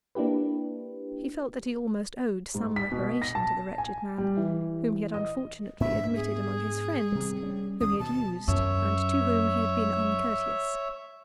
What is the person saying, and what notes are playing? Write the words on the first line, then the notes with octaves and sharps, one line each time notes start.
He felt that he almost owed some reparation to the wretched man,--whom he had unfortunately admitted among his friends, whom he had used, and to whom he had been uncourteous.
A#3 D4 E4 G4 B4
G#2
B6
B2
A#6
A5
G#5
G3
E3
D#5
G#2 B3 D4 E5
G#4
C3 G3
G3 C#4
D#2 C#4 D#6
B2 A5
F#2 C#5 E5